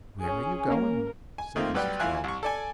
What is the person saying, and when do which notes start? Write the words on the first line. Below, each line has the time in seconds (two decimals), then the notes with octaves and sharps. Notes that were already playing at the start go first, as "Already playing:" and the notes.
'Where are you going?' said Mrs. Garland.
0.20 C#4 G#4
0.68 A#3 C#4 A#4
1.38 G#5
1.56 D#3 A3 A#3 C4 F4
1.74 B1 G3 B4 D5 G5
2.00 E3 E4 F4 G#5 F#6
2.24 C2 C#6
2.43 A4 D5 G#5